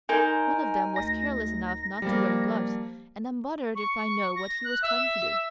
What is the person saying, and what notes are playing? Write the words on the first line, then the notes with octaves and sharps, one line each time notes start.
One of them was careless enough not to wear gloves, and I'm bothered if I know what he was trying to do.
D#4 A#4 C5 G#5
D2 A#6
F3 G3 A#3
C#6
A#6
F#6
E5